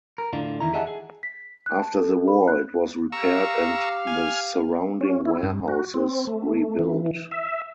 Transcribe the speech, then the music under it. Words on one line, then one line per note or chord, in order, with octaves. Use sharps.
After the war, it was repaired and the surrounding warehouses rebuilt.
A#4
A2 D3 D4 F4
E2 D#3 E4 A#5
G4 G#4 D#5 E5 F#5 A5
G#4
B6
F#6
A5
A4
B5
F#6
G4 F5 A#5 C#6 E6
G#5 F6
C#4
E4
G2
F#4
C4
A3
E3
E5